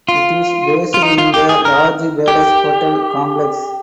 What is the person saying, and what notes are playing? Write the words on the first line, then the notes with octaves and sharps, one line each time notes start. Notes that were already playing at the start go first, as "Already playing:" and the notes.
It is based in the large Palace Hotel complex.
F4
F4
D#4
F4
G4
G#4
A#4
G4